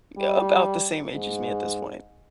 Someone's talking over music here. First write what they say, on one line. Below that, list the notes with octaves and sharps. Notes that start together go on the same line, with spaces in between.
a about the same age as me at this point.
G3
G#2